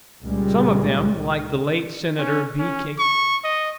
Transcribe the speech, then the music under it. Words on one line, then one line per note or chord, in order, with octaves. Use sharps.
Some of them, like the late Senator B.K.
C#2 A#2 G3 G#3
C#4
C#4
C#6
D#5